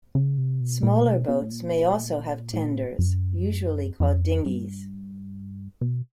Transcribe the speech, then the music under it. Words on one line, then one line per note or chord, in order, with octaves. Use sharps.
Smaller boats may also have tenders, usually called dinghies.
C#3
C3
B2
A#2
B2
B2
A2
A#2
A2
A#2
A2
F#2
F2
G2
B2